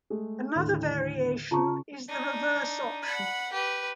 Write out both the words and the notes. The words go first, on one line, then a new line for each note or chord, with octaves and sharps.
Another variation is the "reverse option".
G#3 A3 G#4
D#2 A2 D3
C#3 F4 A5 A#5 C#6
D4 D#4
F#5 B5
G4 B4